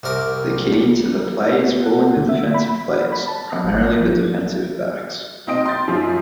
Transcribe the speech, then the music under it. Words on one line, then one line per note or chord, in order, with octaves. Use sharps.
The key to the play is fooling the defensive players, primarily the defensive backs.
C2 C3 A#4 D6
B3
F#5
D3
E5
B5
F#4
B5
A5
G#1
F3
B1 C4 D#5 G5 D7
C6 G6 A6
F#2 F3